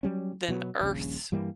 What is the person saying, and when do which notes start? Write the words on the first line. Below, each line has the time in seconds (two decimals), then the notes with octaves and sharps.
than Earth,
0.03 F#3 G3 C#4
0.48 B2 F#3 B3
0.81 D#1 A#1 C#3
1.32 G2 E3 G3 A#3